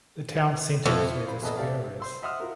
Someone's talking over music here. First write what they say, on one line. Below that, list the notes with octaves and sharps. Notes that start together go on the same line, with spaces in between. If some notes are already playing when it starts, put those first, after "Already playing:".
The town centre is where The Square is.
F2 E4 A4
F4 C5 B5
A#1 E2 A4 B4 D#5 A5
A3 G4 D5 E5 F5
C5 C6 E6
D#5 E5 F#5 C6 D#6 F6
F4 F#4 A#4